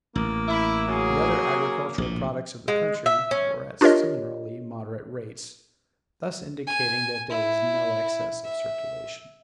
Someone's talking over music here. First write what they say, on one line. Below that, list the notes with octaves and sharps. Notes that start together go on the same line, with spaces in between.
The other agricultural products of the country were at similarly moderate rates, thus indicating that there was no excess of circulation.
A1 A#3
E4
C#3 F#3 G#4
A#1 A2
G#3
E5
C#4
D4 F4 G4 A#4 C#5 D#5
G#5
E4
E5